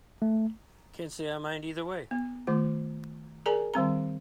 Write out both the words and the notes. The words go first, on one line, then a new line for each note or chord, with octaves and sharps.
Can't say I mind either way.
A3
B3
D#3 A3 F4 D6
G#4 A#4 D5 G#5 A#5
D#3 G3 C4 A#5